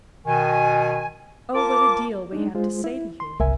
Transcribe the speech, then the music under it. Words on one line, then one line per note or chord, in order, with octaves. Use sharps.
'O what a deal we have to say to you!
B2 D#3 G#5
F4 A#4 A5 D6
G#3 D4 D#4
G#3 F4 C5
E4
C6
G1 C2 A#4 E5 G#5